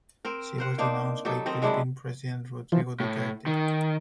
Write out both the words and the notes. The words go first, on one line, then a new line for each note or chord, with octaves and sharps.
She was denounced by Philippine president Rodrigo Duterte.
C4 A#4
A#4 C5 F#5
A#3 D4 D#4 C5
F#3 D#4 G4 A4
D#3 C4 D#5
F#3 G#3 D4 E4
E3 F3
A2
D#3